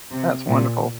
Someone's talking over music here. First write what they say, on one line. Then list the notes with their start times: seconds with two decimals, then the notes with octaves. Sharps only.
That's wonderful.
0.11 C3
0.48 A#2